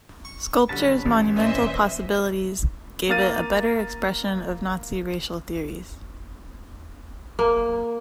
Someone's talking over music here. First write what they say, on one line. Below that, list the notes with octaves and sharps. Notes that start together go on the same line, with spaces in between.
Sculpture's monumental possibilities gave it a better expression of Nazi racial theories.
C#6
B1 D3 G3 C#4 B4 A5
A1
A#2 E3 C#4 C5 D#5 E5
A#3 F5 F6 A6 D#7
A#3